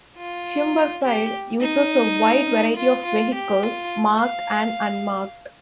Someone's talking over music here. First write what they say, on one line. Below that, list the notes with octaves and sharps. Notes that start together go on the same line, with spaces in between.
Humberside uses a wide variety of vehicles, marked and unmarked.
F4
G4
D#4
F4
F4
G4
F4
F5